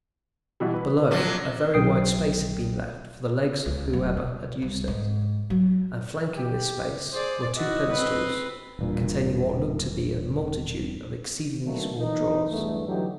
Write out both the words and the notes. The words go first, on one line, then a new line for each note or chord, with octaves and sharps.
Below, a very wide space had been left for the legs of whoever had used it; and flanking this space were two pedestals, containing what looked to be a multitude of exceedingly small drawers.
B2 E3 G3
B4
F3 F#3 C#4 D4
B1 G5 D#6 C7
C#2
D1
B2
C2
G#2
F#3
G4
G#4 C5 D5
E4 F#4 D#5
C4 B4
E1 G2 A#2
B2 D3 D#3 F#3 A3 A#3
E3 D#4
B1 E2 G2 A3
D3 E3 F#3 D#4 E4 G4